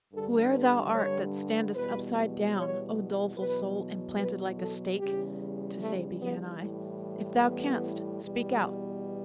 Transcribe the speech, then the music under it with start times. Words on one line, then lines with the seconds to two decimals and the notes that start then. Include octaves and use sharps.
"Whoe'er thou art, that standest upside down, O doleful soul, implanted like a stake," To say began I, "if thou canst, speak out."
0.14 G2 D3 G3 A4
0.54 B4
0.94 C#5
1.75 E2 B2 G3 B4
2.57 C#5
3.37 E2 B2 F#3 B4
4.18 B4
4.59 A4
4.99 E2 C#3 G3 G4
5.80 A3
6.21 B3
6.61 A2 E3 G3
7.42 B3
8.23 E2 B2 G3